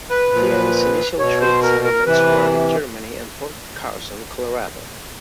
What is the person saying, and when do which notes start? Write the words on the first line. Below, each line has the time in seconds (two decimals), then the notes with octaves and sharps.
Peay’s initial troop assignments were in Germany and Fort Carson, Colorado.
0.10 B4
0.32 A#2 F3
1.19 B2 C#5
1.41 C5
1.63 A#4
1.84 A#4
2.06 C3 E3 B4